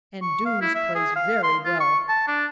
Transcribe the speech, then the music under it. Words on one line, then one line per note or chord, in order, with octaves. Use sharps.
And Doos plays very well.
C#6
F5
E4
E5
G#4
F5
C6
F4
C#6
A5
D4